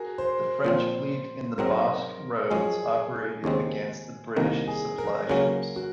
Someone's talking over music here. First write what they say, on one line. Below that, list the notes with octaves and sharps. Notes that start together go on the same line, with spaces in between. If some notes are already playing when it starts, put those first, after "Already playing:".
The French fleet in the Basque Roads operated against the British supply ships.
Already playing: F#4 G#4 A#4
C5
A#2 F3 C4
G#2 F#3 C4 D#4 A#4
F#2 F3 G#3 C#4 G#4
D#2 C#3 G#3 C4
C2 C3 D#3 A#3 A#4
G#4
A#4
C#2 C#3 F#3 A#3 C#4 A#4
F#4